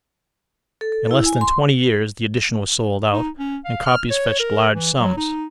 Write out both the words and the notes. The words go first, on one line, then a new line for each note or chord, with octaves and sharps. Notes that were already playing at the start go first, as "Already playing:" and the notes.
In less than twenty years the edition was sold out, and copies fetched large sums.
A4
A4
E4
G#5
C6
D#4
C#4
F5
F6
C#5
A#4
E3
F#3
D#4